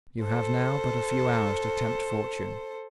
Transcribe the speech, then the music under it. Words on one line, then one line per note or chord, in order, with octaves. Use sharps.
You have now but a few hours to tempt fortune.
A4 C5